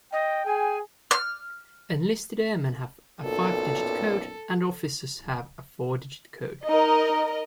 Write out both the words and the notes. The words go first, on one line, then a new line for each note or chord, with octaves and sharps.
Enlisted airmen have a five digit code, and officers have a four digit code.
D#5 G5
G#4 G#5
F6
B1 F#2 A#2 A4
D#4 A#4 D#5